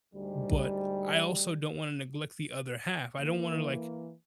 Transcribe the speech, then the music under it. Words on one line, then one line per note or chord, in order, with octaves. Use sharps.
But I also don't want to neglect the other half. I don't want to like,
D2 G#2 G3
E3 A#3